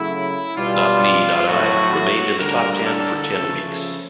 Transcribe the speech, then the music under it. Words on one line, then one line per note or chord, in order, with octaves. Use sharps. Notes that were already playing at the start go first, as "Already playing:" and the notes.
"Not Me, Not I" remained in the top ten for ten weeks.
Already playing: C#3 F#3 A3 E4
B2 G3 F4
A2 F#3 A3 F#4
D3 G3 A#4
A4
C#3 F3 A3